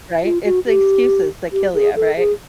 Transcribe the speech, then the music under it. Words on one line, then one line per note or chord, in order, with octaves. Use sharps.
right? It's the excuses that kill you, right?
F4
F#4
G4
G4
G#4
A4
G#4